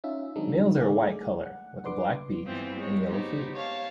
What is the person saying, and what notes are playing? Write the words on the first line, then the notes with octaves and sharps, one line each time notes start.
Males are a white color, with a black beak, and yellow feet.
C#4 D#4 F4 E5
D#3 F#3 G#3 C4 D4 D#4
A3 G#4 D5
F#5
D4 B4 C6 D6
G2 E3 B3 C4 F4
G3 G#3 C#5
B3 D#4 G4 C5
C#5 F5 A5